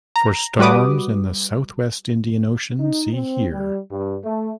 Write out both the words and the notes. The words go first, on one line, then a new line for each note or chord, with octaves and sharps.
For storms in the South-West Indian Ocean, see here.
A#5
G3 F#4 B4 D6 D#6
D#4
C4
G3
G2
A3